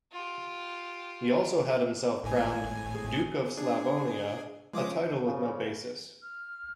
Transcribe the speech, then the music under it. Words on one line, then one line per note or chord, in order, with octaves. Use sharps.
He also had himself crowned Duke of Slavonia, a title with no basis.
F4 G4
G#1 A2 G#5
G#4
D4 G#4
F3 G#3 C#4 D6 D#6
C#3 F3
F6